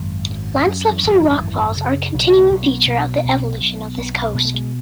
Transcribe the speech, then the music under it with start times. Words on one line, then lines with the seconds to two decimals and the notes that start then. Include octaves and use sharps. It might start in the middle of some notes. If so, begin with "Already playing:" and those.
Landslips and rockfalls are a continuing feature of the evolution of this coast.
Already playing: G#1 F#2
0.30 F#2
0.66 F#2 F#3
0.92 E3
1.03 G#1
1.16 E3
1.34 D#3
1.40 F#2 E3
1.77 C#3
2.14 B1 F#3
2.39 A3
2.51 B1
2.63 B3
2.87 B2
3.25 B1
3.61 B1
3.98 B1 B3
4.34 B2 G#3
4.45 A3
4.54 G#3